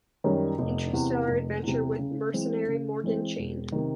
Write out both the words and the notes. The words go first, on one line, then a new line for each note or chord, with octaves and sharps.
Interstellar adventure with mercenary Morgan Chane.
F#2 D#3 G3
F1
E2 C3
F1
E2 C3
C#3
E3 G#3 C4
C#3
E3 G#3 C4
E1
C3 D#3